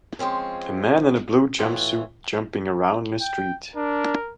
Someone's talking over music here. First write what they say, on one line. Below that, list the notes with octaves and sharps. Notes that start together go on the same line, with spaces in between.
A man in a blue jumpsuit jumping around in a street.
F3 G#3 C4 C#4
A2 E3 F4 F#4
G5
D4 A#4